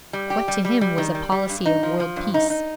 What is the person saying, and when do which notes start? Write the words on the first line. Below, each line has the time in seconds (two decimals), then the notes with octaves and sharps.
What to him was a policy of world-peace?
0.13 G3
0.30 G4
0.48 G3
0.65 G3
0.81 G3
0.98 D#3
1.15 G3
1.32 G3
1.50 G2
1.66 D#4
1.83 F3
2.00 F3
2.16 G2
2.34 D#4
2.50 D#4